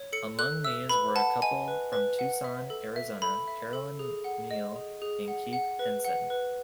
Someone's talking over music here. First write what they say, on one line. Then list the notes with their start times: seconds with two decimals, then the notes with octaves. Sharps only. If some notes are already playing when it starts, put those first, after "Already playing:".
Among these were a couple from Tucson, Arizona, Carolyn Meinel and Keith Henson.
Already playing: C#5
0.13 A4 C#7
0.39 A4 F#6
0.64 E5 E6
0.89 B4 B5
1.16 F#5 A5
1.42 D#5 G#5
1.68 B4
1.93 B4
2.19 F#5
2.44 E5
2.70 A4
2.96 E5
3.22 A4 B5
3.48 E5
3.73 A4
3.99 G#4
4.24 F#5
4.51 D#5
4.76 G#4
5.02 G#4
5.28 F#5
5.53 F#5
5.79 B4
6.05 F#5
6.30 B4